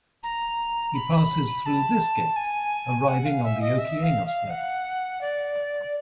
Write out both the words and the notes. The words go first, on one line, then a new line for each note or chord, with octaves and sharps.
He passes through this gate, arriving on the Okeanos level.
A#5
B5
A5
G#5
F#5
F5
E5
D#5
E5
F5
F5
F#5
D5